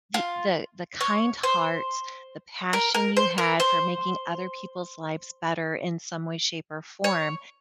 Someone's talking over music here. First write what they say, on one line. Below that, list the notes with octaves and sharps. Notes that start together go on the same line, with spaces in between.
the the the kind heart, the passion you had for making other people's lives better in some way, shape, or form,
F4
C#5
C5
A#4
A#4
C5
A#4
C5
C#5